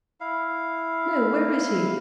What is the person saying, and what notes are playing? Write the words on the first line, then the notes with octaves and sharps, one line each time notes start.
"No, where is he?"
E4 F5